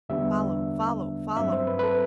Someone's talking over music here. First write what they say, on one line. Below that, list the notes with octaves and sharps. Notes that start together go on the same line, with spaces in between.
Follow, follow, follow!
E2 D3 G3 B3 D4 E5
G2 F#3 C4 E5
C5
B4
B4
A4